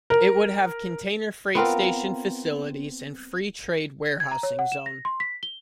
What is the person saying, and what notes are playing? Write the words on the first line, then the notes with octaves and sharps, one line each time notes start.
It would have container freight station facilities and free trade warehousing zone.
A#4
B3 C4 F4 A#4
G#6
A#5
C#5
F#5
E7
A#6
C6
B6
G7